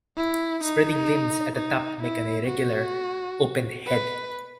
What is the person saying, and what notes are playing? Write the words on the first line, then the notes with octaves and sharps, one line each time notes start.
Spreading limbs at the top make an irregular, open head.
E4
D#4
D#4
E4
F#4
B4